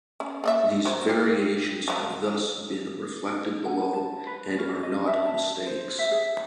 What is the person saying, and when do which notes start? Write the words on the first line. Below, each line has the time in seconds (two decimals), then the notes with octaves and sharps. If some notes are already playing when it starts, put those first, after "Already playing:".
These variations have thus been reflected below, and are "not" mistakes.
0.20 C#4
0.44 A#3 D#5 E5
0.85 F#3 C5
1.09 G4
1.88 F3 F#3
3.65 F#5
3.93 A5
4.27 B4
4.58 C#4
4.83 D#5
5.08 E5
5.26 A5
5.66 C5
5.99 E5
6.11 G#4